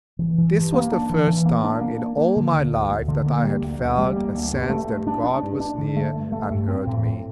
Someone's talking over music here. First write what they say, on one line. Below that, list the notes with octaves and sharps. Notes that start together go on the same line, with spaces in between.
This was the first time in all my life that I had felt a sense that God was near, and heard me.
E3
E3
G2
A#3
D4
E3
E3
A#3
D4
A#3
A#3
A#3
D3
D2
D2
D2
D3
A#3
G3
D2
D2
G3
A#3
D2
G2
A3
G2
D4
D4
G2
D4
D3
A3
G2
A3
G2
C4
A2
A2